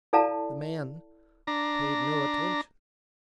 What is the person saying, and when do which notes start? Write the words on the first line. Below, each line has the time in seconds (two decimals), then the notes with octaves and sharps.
The man paid no attention.
0.13 E4 A4 D5 F5 A5 A#5
1.47 D4 A#5